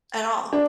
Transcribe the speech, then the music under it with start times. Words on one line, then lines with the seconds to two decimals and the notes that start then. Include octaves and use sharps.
at all,
0.53 D4